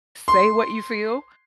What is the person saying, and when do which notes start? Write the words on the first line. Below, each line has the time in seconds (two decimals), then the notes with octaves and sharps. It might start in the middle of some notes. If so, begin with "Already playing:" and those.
say what you feel,
0.28 C6